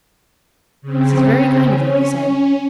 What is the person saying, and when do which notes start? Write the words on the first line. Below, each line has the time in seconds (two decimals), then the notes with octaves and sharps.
"This is very kind of you," he said.
0.82 C#3 C4
1.64 C#4